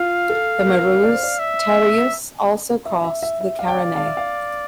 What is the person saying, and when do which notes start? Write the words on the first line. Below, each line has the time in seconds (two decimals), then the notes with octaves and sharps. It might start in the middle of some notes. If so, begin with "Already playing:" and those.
The Murus Terreus also crossed the Carinae.
Already playing: F4 F5
0.30 A4
0.66 A#4
1.04 D5
1.13 C5
1.23 D5
1.39 E5
2.86 E5
3.04 E5
3.23 E5
3.41 E5
3.59 D5 F5
3.68 G5
3.77 F5
3.96 F5
4.07 E5
4.17 F5